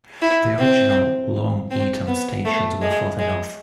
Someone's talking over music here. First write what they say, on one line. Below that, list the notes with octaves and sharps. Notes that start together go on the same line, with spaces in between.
The original Long Eaton stations were further north.
E4
C4
C4
B3
A3
G#3
G#3